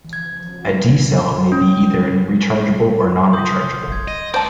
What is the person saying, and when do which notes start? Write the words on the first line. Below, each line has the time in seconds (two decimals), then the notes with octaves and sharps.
A D cell may be either rechargeable or non-rechargeable.
0.13 G#6
1.52 C#4
3.33 C6 D#6 G6
3.92 G#6
4.08 D#5
4.34 G#2 C5 D5 A5